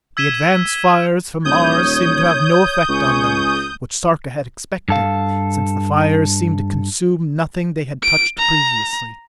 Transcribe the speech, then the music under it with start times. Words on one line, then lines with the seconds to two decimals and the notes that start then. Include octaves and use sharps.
The advance fires from Mars seemed to have no effect on them, which Sarka had expected, since the fires seemed to consume nothing they had touched previously.
0.17 E6 G#6 B6 D#7 E7 G7
1.45 D#1 C#5 D#6 G6 G#6
2.89 C#2 G#4 C#6
4.89 G2 A4 F5
8.02 D7
8.39 A#5